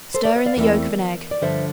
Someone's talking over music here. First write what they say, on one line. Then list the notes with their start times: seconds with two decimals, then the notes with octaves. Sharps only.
Stir in the yolk of an egg.
0.14 A4 C5
0.25 A#4 D5
0.36 C5 E5
0.46 D5 F5
0.57 E2 D3 A3 C4 E4 A#4 D5
1.31 D5
1.41 G2 D3 F3 C5 E5